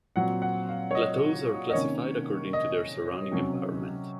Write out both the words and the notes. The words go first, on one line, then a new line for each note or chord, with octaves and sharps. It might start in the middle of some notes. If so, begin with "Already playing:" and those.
Plateaus are classified according to their surrounding environment.
A#2 F#3 C4 F#5
F#5
F5
C#5
D#5
D#5
C3 D#3 A#3 C#4 C#5
D#5
C3 F#3 C#4